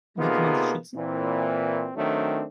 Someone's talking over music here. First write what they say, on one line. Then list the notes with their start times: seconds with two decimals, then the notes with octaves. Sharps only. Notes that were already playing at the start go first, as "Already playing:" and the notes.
Wie kann man sich schützen?
0.18 C3 A#3 B3 D#4 F4 G#4
0.95 A#2 E3 C4
1.96 D#3 F#3 A3 C4 D4